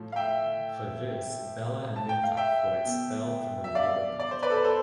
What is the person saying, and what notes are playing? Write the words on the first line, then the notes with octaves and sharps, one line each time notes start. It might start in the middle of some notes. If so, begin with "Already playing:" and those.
For this Abela and Mintoff were expelled from the Labour Party.
Already playing: A2 F3
F5
E5 G5
A5
G5
F5
E5 G5
B2
E5
D5 F5
D5
C5
B4 D5
A4
B4
A4 C5